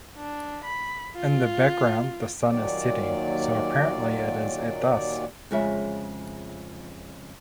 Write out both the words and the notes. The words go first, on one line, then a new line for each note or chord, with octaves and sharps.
In the background the sun is setting, so apparently it is at dusk.
D4
B5
F4
D#2 A#2 D#3 F#3 D5
F2 C#3 G#3 F4 C#5 E5